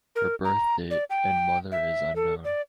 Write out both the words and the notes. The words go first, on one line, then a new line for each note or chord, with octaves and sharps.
Her birth date and mother is unknown.
A#4
A#5
D5
G5
E5
A4
D5